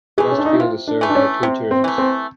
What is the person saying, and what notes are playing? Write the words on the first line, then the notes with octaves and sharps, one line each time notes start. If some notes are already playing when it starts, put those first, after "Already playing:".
Westfield is served by two churches.
E3 A3 G#4
C#4
D4
D#4
E4
C3 F4
D4
E3 A3
D4
C#4
C3 C4
C4
E3 A3
C4